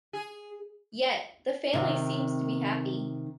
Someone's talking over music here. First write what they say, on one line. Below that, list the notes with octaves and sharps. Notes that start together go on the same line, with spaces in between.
Yet, the family seems to be happy.
G#4
C3 D#3